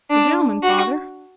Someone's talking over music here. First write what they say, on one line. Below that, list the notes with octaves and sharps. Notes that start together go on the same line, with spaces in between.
'The gentleman, father.'
D4
F#4